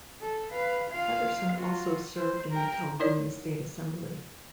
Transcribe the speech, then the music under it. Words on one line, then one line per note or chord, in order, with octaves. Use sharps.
Patterson also served in the California State Assembly.
A4
B4 F5
F4 F5
F4 F#4
C5
A#4 G5
D#4 E4 A#4 C#5 D5